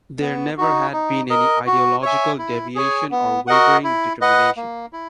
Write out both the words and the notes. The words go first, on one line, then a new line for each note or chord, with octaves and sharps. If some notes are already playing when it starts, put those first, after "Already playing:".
There never had been any ideological deviation or wavering determination.
B3
D#4 F#4
D#4
A#4 D#5
F#4
C#5 E5 G#5
E4
G#4 C#5 G#5
B3
F#4 A#4 D#5 F#5
E4
B4 D#5 F#5
A#3
E4